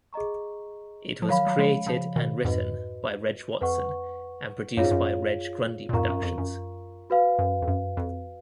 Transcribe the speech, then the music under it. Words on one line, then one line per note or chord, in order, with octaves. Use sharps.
It was created and written by Reg Watson and produced by Reg Grundy Productions.
G#4 D#5 A#5 C#6
F3
D#3 F#3 C#5 F5 B5
F#3
F3 G#3
C#3 F3
B2 D#3
F2 G#2 F#4 B4 D#5
F2 B4 F#5 C#6
F#2 F4 G#4 C#5 F5
G#2
F#2
A#2
F2 G#2 F4 A#4 F5 A#5 C#6
F#2
F2
F#2
F#4 B4 F5
F#2
F2
F#2
F2